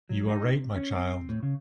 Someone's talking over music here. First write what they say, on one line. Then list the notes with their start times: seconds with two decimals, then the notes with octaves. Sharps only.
You are right, my child.
0.09 F#3
0.28 D#4
0.51 C3
0.76 C#4
0.96 C4
1.29 A2
1.43 C#3